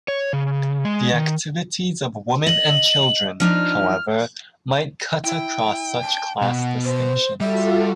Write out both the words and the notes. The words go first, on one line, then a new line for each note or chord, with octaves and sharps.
The activities of women and children, however, might cut across such class distinctions.
C#5
C#3
G#3
D#3
D#5 F#7
F3 D4 D#4 F6
E4 G5
A5
B2 F#5
C5
G3 F4 F#4 A4 E5